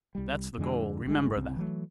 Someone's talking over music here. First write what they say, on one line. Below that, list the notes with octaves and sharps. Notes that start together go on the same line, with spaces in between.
That's the goal, remember that!
C2 G3
F2 D3 G#3
G1 G3 G#3
C2 C#3 C4
E3 F#3 A3